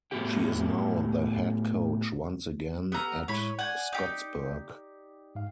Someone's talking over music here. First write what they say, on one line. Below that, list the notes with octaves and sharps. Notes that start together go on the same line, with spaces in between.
She is now the head coach once again at Scottsburg.
A2 B3 F#4 G4 G5
B3 G4 A#5 E6 F6
A2 G#3 E4 C#5 B5
D5 F#5 G#5 G6
D#4 G4
G#2 F5